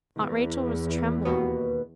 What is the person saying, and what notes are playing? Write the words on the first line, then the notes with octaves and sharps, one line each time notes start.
Aunt Rachel was trembling.
E2
D#2 B2 B3